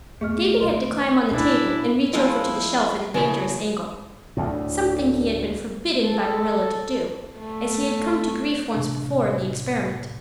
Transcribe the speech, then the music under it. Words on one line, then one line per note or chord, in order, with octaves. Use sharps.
Davy had to climb on the table and reach over to the shelf at a dangerous angle . . . something he had been forbidden by Marilla to do, as he had come to grief once before in the experiment.
E2 A3 A#3 G#4 D#5 F6
A#1 D#3 D#5 C6
A#2 C#4 D4 E4
F3 G#3 B3 E4 F4
C#3 F3 E4
D2 A2
A4
A3
A1 C3 D4